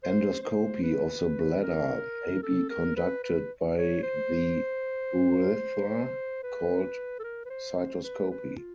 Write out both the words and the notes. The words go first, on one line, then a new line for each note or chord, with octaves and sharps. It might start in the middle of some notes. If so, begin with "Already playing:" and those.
Endoscopy of the bladder may be conducted by the urethra, called cystoscopy.
C5
C5
B4
A#4
A4
A#4
B4
B4
C#5
C5
B4
A4
A#4
B4
C5
C5
B4
B4
F4